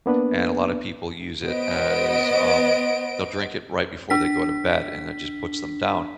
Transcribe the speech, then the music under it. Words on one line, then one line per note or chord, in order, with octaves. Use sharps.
And a lotta people use it as, um they'll drink it right before they go to bed and it just puts them down
A#3 B3 D4 B4
B3 C5 D#5 D7
D4 B6